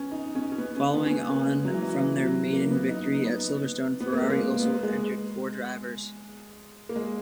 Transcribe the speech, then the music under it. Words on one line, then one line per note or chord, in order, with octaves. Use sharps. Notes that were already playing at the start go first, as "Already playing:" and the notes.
Following on from their maiden victory at Silverstone, Ferrari also entered four drivers.
Already playing: B3 C#4
D#4
C#4
C#4
B3
C#4
B3
C#4
B3
A#3
G#3
F#3
E3
F#3
E3
F#3
A#3
A#3
B3
D#4
B3
B3
A#3
G#3
A#3
B3
A#3
G#3
A#3
G#3